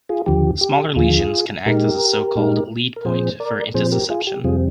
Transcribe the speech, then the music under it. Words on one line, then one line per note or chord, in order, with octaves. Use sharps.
Smaller lesions can act as a so-called "lead point" for intussusception.
F4 G#4
D#2 D3 F3 G4
G4
D#2 D3 F3 F4 G#4
A#2 G#3 D#4 G4 A#4
A#2 G#3 D#4
A#4
A#2 F3 C4 G#4 C5
A#4 D5
A#2 F3 C4 G#4 C5
G4 A#4
F4 G#4
G4
F2 C3 G3 C4 F4 G#4